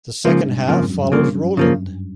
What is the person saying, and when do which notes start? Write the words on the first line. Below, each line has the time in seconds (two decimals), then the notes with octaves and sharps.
The second half follows Rowland.
0.24 G#2 C#3 F3 A#3
0.46 G2
0.68 F2 C#3 F3 A#3
0.90 F#2
1.05 F#2
1.12 G2 C#3 F3 A#3
1.35 F#2
1.57 C#3 F3 A#3